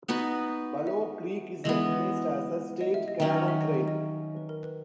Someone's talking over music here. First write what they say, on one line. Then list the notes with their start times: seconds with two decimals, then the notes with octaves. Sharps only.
Bulow Creek is recognized as a State Canoe Trail.
0.08 B3 D#4 F#4 B4 D#5
0.78 F#5
0.87 E5
1.64 E3 G#3 B3 D#5
2.81 D#5
2.94 E5
3.08 D#5
3.20 D#3 F#3 C#4 E5
3.34 D#5
3.48 E5
3.61 D#5
3.74 E5
3.88 D#5
4.37 B4
4.49 A#4
4.63 B4